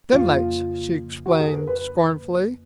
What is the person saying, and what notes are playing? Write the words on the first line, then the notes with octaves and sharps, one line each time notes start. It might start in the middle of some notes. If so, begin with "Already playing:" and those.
"Stim'lates," she explained scornfully.
F2 C#3 F3 A#3 F4
F#4
G#4
A#4
B4